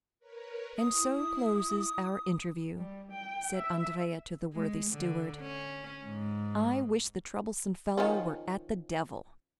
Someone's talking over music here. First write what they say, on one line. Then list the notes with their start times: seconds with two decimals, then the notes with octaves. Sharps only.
"And so closes our interview," said Andrea to the worthy steward; "I wish the troublesome fellow were at the devil!"
0.19 A#4 B4 C#5
0.79 E4 D#6
2.78 G3
3.11 G5
3.56 E5
4.53 G#3
4.92 D3
5.41 C#4
6.05 G#2
7.97 D#3 F3 C#4